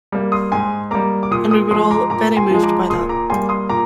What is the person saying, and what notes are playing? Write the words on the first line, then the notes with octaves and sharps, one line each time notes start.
And we were all very moved by that.
G3 A#3
C6 D#6
G#2 G#5 C6
G3 A#3 A#5 D6
D6
A#2 C6 D#6
C6 D#6
F3 G#3 C6 D#6
A#5 D6
A#2 A#5 D6
G#5 C6
F3 G#3
A#5 D6
A#2 C6 D#6
A#5 D6
G3 A#3 G#5 C6
C6 D#6
A#2 A#5 D6